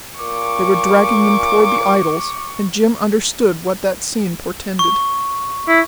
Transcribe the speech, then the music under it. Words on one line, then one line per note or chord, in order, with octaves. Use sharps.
They were dragging them toward the idols, and Jim understood what that scene portended.
A#2 C#6 D6
C#6
E4